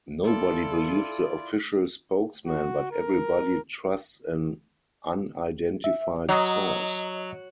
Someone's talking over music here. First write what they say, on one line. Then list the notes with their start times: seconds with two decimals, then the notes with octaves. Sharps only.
Nobody believes the official spokesman but everybody trusts an unidentified source.
0.24 E4 F4 A4 D5
2.47 F#4
2.91 A#4
5.84 E5
6.29 F#3 D#5 D#6